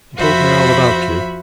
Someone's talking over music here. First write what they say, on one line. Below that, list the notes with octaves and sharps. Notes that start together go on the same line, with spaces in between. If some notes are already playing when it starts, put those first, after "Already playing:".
He told me all about you....
F2 F3 F#4 C5 E5 B5